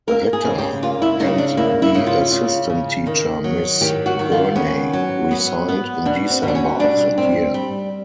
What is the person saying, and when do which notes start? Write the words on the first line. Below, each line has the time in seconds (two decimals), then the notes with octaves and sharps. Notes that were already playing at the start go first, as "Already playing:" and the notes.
Ritter, and the assistant teacher Ms Gurney, resigned in December of that year.
0.08 A#3 A#4
0.33 G#4
0.45 C#3
0.58 G4
0.82 A#3 F4
1.02 E4
1.20 C#3 D#4
1.38 D4
1.57 A#3 E4
1.82 E4
1.95 C#3
2.07 F4
2.32 C#3
2.70 C#3
3.07 D#3
3.44 F#3
3.81 D#3 G4
4.06 F#4
4.19 D#3
4.32 F4
4.56 B3 C#4
4.93 F#3
5.31 B3
5.68 B3
6.05 B2 D4
6.30 C4
6.43 B2
6.48 D4
6.55 C#4
6.80 G3 D4
7.18 C4
7.54 G3